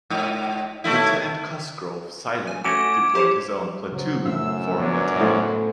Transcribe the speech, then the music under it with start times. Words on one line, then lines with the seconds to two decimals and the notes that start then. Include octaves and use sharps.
Lieutenant Cosgrove silently deployed his own platoon for an attack.
0.10 G#2
0.84 D#2 A3 E4
2.47 G#5
2.64 A3 C#4 F#4 D6 G#6 D7
3.15 G4 C5 C#5 D6 E7
3.92 C#3 F#3 C5
4.26 F#2 A3 C#4 E4 F5 E6
4.80 B3 D4 A#4 C#5
5.20 A2 C5